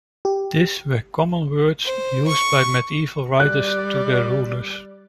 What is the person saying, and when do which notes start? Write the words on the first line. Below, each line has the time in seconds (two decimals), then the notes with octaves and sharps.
This were common words used by medieval writers to their rulers.
0.25 G4
1.84 C5
2.28 C#6
3.40 G3 D5 F#6